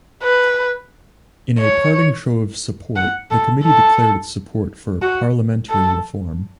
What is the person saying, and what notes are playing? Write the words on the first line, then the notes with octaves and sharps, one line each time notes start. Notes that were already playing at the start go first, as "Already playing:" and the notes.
In a parting show of support the Committee declared its support for parliamentary reform.
B4
C#5
F#5
A4
A4
F#4
A4